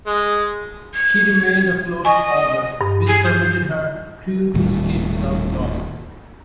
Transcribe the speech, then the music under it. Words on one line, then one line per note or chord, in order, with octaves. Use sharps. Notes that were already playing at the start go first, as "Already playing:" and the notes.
She remained afloat forward, which permitted her crew to escape without loss.
G#3
G#6
D#5 G#5 C#6
G2
G#4
G6
D#1 A2 D#3 G3